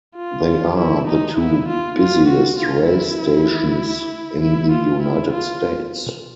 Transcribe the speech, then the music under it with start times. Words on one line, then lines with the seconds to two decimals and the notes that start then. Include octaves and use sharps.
They are the two busiest rail stations in the United States.
0.16 F4
0.78 E4
1.07 D#4
1.38 E4
1.69 F4
1.99 F4
2.29 F#4
2.59 F4
2.90 E4
4.41 E4
4.72 F4
5.02 E4
5.33 F4